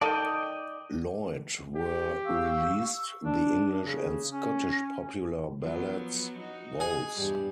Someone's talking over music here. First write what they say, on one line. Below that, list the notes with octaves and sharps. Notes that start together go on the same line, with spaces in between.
Lloyd were released: The English and Scottish Popular Ballads, Vols.
D#3 A4 D5 D#5 G5
G4
F5 C#6 E6
D4
C#3
C#4
F3 F#3 B3
D#4 F#4
G#4
E2 G2 G3